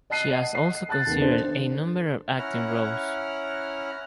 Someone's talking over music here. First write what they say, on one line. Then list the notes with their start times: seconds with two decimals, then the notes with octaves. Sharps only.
She has also considered a number of acting roles.
0.10 D#5 A5 F#6 C7 D#7
0.31 D#5 F#5
0.55 C7
0.89 A5 F#6 A6
1.07 D#2 B3
1.20 D4 A4 C5
2.39 C#4 E4 F#5 A#5 F6